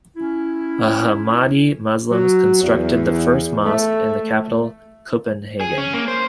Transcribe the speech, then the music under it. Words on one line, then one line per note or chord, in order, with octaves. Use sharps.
Ahmadi Muslims constructed the first mosque in the capital, Copenhagen.
C#4 E4
F#3
E2
A3
G#4
C#4
A#3
C5